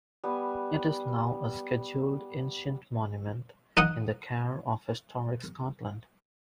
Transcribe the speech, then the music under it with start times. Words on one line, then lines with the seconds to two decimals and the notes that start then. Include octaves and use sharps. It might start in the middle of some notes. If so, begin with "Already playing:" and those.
It is now a Scheduled Ancient Monument, in the care of Historic Scotland.
0.24 G3 B3 G#5
3.77 D#4 F#5 D#6